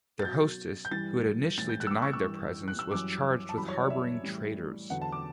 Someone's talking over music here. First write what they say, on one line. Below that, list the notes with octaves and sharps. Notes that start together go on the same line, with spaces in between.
Their hostess, who had initially denied their presence, was charged with harbouring traitors.
A6
B2 F#3 G6
G6
G2 E3 G3 A6
A2 E3 G3 A6
G6
F#6
E6
D6
C#6
E6
G2 E3 G3
F#6
E6
F#2 E3 G3 D6
A5
F#2 E3 G3 B5
C#5
D5
E5
A2 E3 G3
E2 D3 F#3 F#5
A5
D6